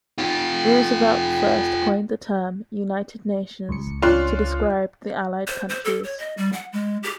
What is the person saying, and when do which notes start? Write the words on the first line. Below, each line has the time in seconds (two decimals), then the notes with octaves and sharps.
Roosevelt first coined the term "United Nations" to describe the Allied countries.
0.18 F4 G4
3.69 C#2 C#7
4.02 C#4 D4 F4 C6 F#6
5.47 C5
5.69 C5
5.85 A4
6.04 C#5
6.19 D#5
6.37 G3
6.53 F#5
6.73 G#3
7.03 G4